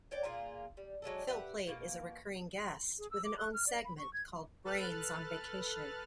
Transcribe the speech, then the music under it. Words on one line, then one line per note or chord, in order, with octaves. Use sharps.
Phil Plait is a recurring guest, with an own segment called "Brains on Vacation".
C#5 D5 G5
A#2 A#3 F4 G#4
G3
F#3 G#3 D4 A4
G4 B4 E5 F#5
B2 A#3
G#4
E6
D6
F#6
F6
D5
B5
C#6
G#6
A4 B4 F6 F#6 A6